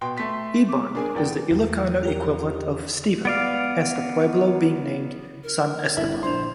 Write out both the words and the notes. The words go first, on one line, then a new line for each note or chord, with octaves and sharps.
"Iban" is the Ilocano equivalent of "Stephen," hence the pueblo being named San Esteban.
B2 G5 C6
A3 C6 B6
D6
D4 G#4 A#4 G#5
E2 D5 G5
E2
F4 G4 A#4
B3 D5 F5
A#4
G1 E4
A#1 D4 C5 C6 F7